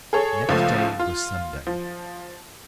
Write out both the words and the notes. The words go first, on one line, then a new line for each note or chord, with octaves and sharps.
Next day was Sunday.
G#4 A4 C#5
C#2 F3 A3
F4
F3